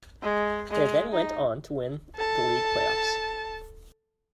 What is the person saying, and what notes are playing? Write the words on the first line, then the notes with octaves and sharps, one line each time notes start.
They then went on to win the league playoffs.
G#3
G#3
D#4
A4 A5